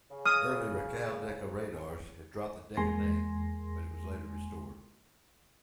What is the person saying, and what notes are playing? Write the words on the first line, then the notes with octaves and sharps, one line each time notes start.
Early Racal-Decca radars had dropped the Decca name, but it was later restored.
C#3
D#6 F6
E2 G#3 A#3 G#5 C6 A#6